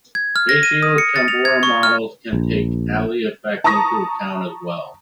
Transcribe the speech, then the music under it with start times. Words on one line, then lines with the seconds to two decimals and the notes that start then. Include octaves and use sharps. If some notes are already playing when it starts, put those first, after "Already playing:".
Spatio-temporal models can take Allee effect into account as well.
0.15 G#6
0.36 F6
0.49 A#6
0.63 D#7
0.83 D#6
0.98 C#7
1.16 A6
1.28 F7
1.45 G#6
1.63 C#6
1.83 F6
2.33 A#1
3.64 A5 A#5 C#6 D#6 A#6